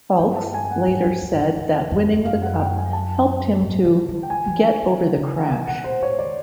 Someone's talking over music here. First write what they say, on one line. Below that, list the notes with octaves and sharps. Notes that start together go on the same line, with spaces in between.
Foulkes later said that winning the Cup helped him to "get over the crash".
G2 G5
A5
G#5
F#5
G#2
G2
F2
F#2
F2
E2
F2
F2
F#2 F5
F#5
G5
G#5
A5
G#2
D3
D#3
G5
D#3 G#5
E3
D#3
D3
C#3
D3
C3
B2 F#5
A#2 C5
A2 C#5
D#3 D5